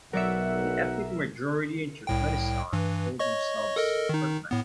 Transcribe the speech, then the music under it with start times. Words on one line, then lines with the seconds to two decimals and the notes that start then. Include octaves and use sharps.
The ethnic majority in Turkmenistan call themselves Turkmen.
0.13 B1 F#3 A#4 D5 E5 F#5 C#7
2.07 C2 A2 G5
2.73 G2 E3
3.19 C#5 D#5 C#6
3.76 A4 A#4 D#5
4.09 D#3 D#4
4.51 A2 B3